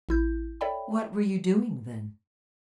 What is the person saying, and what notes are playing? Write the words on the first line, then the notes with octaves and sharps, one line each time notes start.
"What were you doing, then?"
A1 E4 G6
A4 C#5 D5 E5 G5 B5